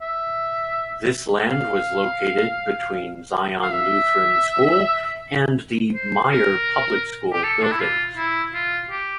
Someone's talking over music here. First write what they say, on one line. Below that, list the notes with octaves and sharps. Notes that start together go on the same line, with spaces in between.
This land was located between Zion Lutheran School, and the Mayer Public School buildings.
E5
F5
F5
E5
C5
A#4
G4
A4
D4
E4
F4
E4
F4
G4